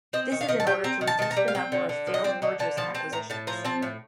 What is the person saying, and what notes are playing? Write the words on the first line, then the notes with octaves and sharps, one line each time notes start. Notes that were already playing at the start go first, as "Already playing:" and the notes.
This is in order to reduce the number of failed mergers and acquisitions.
C4 D#5
D#3
F5
D#3 D#5
A5
G3 G5
C4 A#5
D#3
A5
D#3 A5
A#5
G3
F5
C4 G5
D3
D3
F3
D#5
C4 D5
D3 D#5
D3 A5
F3 A5
C4 A5
A2 A#5
A2 A5
F3 A#5
C4 A5
A2